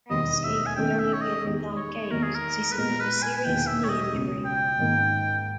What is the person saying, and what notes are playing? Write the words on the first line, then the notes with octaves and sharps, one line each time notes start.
Berehowsky would only appear in nine games as he suffered a serious knee injury.
E1 D#2 D#3 G3 A#3 D#5
E5
G#5
E2 D#3 A#3 C#4 G5
E5
C#5
D#5
E2 D#3 G#3 D#4 G4
C#5
E2 D#3 A#3 A#4
G#4
A#4
B4
A#2 G#3 B3 A#4
B4
G#5
G#5
E1 E2 D#3 A#3 E4 G5
E5
C#5
D#5
C#2 B2 G#3
G5
G#2 D#3 A#3